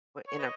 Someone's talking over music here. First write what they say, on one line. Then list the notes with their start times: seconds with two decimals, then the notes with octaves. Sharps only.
were ina
0.28 C#5
0.39 B4 D#5